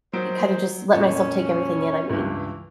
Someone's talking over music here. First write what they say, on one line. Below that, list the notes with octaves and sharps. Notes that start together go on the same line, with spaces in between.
kinda just let myself take everything in, I mean.
A#2 D#3 F#3 C5 D7
F2 A#2 C#4
C#2 G2 E3